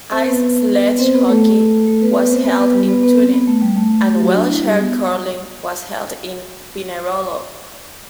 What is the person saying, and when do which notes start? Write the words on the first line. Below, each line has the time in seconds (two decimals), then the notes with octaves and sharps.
Ice sledge hockey was held in Turin, and wheelchair curling was held in Pinerolo.
0.11 C4 C5
0.26 B3 B4
0.99 C4 C5
1.14 B3 B4
1.29 A3 A4
1.86 A3 A4
2.02 B3 B4
2.16 B3 B4
2.31 C4 C5
2.45 B3 B4
2.60 B3 B4
2.74 G3 G4
2.88 B3 B4
3.03 B3 B4
3.18 C4
3.33 B3
3.47 A3
3.62 G3
3.77 A3
4.14 G4
4.20 F#3 F#4
4.34 D4
4.49 E4
4.63 G3 G4
4.79 B3